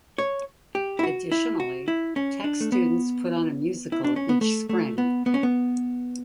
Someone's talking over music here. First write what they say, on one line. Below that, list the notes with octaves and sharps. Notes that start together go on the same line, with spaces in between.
Additionally, Tech students put on a musical each spring.
C#5
G4
E4
F#4
E4
F#4
E4
C#4
D4
A3
B3
E4
D4
C#4
B3
A3
A3
B3
B3
C#4
B3